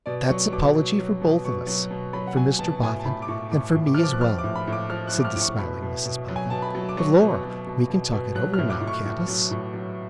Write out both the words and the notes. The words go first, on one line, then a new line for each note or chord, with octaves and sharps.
'That's apology for both of us: for Mr Boffin, and for me as well,' said the smiling Mrs Boffin. 'But Lor! we can talk it over now; can't us?'
B2 D5
F#3 C#6
B2 D6
F#3
F#3
B2
B2 C#6
F#3
B2
F#3 B5
F#5
F#3 G#5
B2 A5
A2 G#5
A5
A2 B5
D6
A2 C#6
A2 D6
A2
D6
F6
F3
D6
F#6
F3 F6
D6
A2
B5
A2
D6
F3 F6
F#6
F3
D6
F6
A2 D6
C#6
B2 B5
B2
B2
F#3
G#5
B2 A5
B5
F#3
D6
F#3 C#6
B2
F#3
B2
B2
B2
F#3 F#6
F6
A2
D6
A2
C#6
A2
F#3
A2
F#3